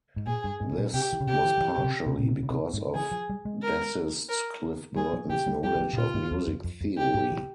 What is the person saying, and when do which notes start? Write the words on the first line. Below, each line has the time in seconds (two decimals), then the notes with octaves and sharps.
This was partially because of bassist Cliff Burton's knowledge of music theory.
0.16 G#2
0.27 A#2 G#4
0.44 G2
0.61 G#2
0.78 A#2
0.94 C3 G4
1.13 E3
1.20 C#3
1.27 C3 G4
1.45 E3
1.58 F3
1.61 E3
1.78 C#3
1.84 C3
2.06 C3
2.18 A#2
2.28 C3
2.43 C#3
2.50 C3
2.74 G#2
2.95 E3 G#4
3.11 F3
3.29 G3
3.45 G#3
3.62 A#4
4.29 A#4
4.96 G3 G#4
5.13 F3
5.30 E3 G4
5.46 G3
5.63 G3 G4
5.75 E3
5.81 F3
5.93 C3
5.97 A#2 F4
6.14 G#2
6.31 E2
6.47 F2
6.64 F2
6.81 F2
6.97 G4
7.14 G#2
7.32 E3